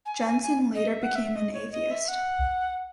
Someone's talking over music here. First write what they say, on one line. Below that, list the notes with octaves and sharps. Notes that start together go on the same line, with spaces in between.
Jensen later became an atheist.
G#5
G#5
G#5
D#5
E5
F#5
E5
D#5
C#5
D#5
E5
F#5